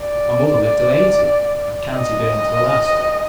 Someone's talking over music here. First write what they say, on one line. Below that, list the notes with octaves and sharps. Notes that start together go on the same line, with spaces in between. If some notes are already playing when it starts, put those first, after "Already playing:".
My mother lived till eighty, a canty dame to the last.
Already playing: D5
D#5